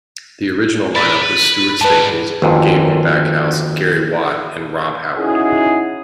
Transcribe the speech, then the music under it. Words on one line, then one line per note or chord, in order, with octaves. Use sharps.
The original line-up was Stuart Staples, Gaynor Backhouse, Gary Watt and Rob Howard.
A#4 D5 B5 A6 B6
B4
G#2 G3 B4 A5
G1 F2 G#2 D#3 A#3 F#4
C#4 D#4 E4 F#4 G#4